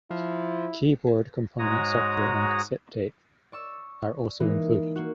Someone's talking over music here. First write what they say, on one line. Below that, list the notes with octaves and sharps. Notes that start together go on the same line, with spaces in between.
Keyboard Component software on cassette tape are also included.
F3 E4
G#2 G#3 F#4 C#5 A#5 D#6
D5 C#6 E6
E3 G#3 A#3 D#4 A#4
A#3 F#4